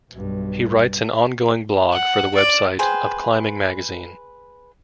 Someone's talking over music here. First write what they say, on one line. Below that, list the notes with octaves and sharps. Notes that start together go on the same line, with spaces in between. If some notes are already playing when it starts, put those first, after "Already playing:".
He writes an ongoing blog for the website of Climbing Magazine.
B1 G2
F#5
D5
G#4 B4 C5 G5